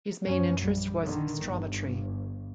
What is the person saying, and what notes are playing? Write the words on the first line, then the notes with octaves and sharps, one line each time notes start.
His main interest was astrometry.
F#2 C#4
A#1 G3
D3 D#3
G1